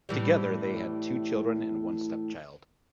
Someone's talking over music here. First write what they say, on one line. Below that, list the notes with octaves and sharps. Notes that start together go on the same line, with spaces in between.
Together they had two children and one step child.
A2 E3 G3